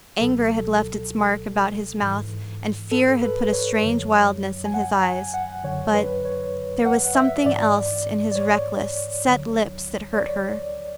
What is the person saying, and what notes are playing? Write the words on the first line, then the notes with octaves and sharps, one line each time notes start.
Anger had left its mark about his mouth, and fear had put a strange wildness in his eyes--but--there was something else in his reckless, set lips that hurt her.
C#2 B2 F#3 A4
G#2 E3
A4
B4
C#5
F#2 D3 F#3
G#5
F#5
G#5
F#5
F#2 D3 F#3 C#5
B4
C#5
F#5
E5
G#2 E3 D5
D5
C#5
D2 D3 F#3
C#5
D5